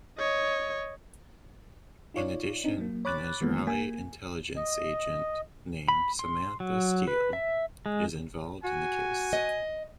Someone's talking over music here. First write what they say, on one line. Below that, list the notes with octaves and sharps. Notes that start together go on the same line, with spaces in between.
In addition, an Israeli intelligence agent named Samantha Steel is involved in the case.
C#5 D#5
D#4 F4 C#5 D5
C4 D4 D#4
F#3 A#3
C#5 B5 D6 F#6 A6
D#3 E3 G#3 A#3 B3
A#3 G#5
D#5
B5
C6
F#3
B4
E5
G#3
F#4 G#5
D#5